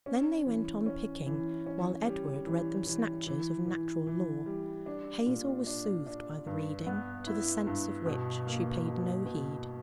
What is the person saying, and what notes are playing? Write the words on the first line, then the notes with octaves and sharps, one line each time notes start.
Then they went on picking, while Edward read them snatches of 'Natural Law.' Hazel was soothed by the reading, to the sense of which she paid no heed.
C#4
E3
C#4
E3
C#4
G3
E3
E3
E3
E3
E3
G3
D4
A#2
D4
D4
G2
B3
E4
G2
B2
A#3
B2
B2